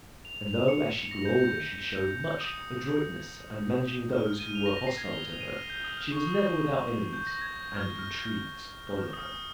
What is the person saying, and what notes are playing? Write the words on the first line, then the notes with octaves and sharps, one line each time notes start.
And though, as she grew older, she showed much adroitness in managing those who were hostile to her, she was never without enemies, and intrigues followed her.
F7
F7
C#7
C#7
A#6
G6
G6
D#6
F6
F6
D#7
F7
A#6
A#6
C7
G#6
G7
F7
D#7
F6
G6
D#6
F6
C#6
D#6
G6
A#6
G#6
G6
F6
F6
F6
D#6
F6
D#6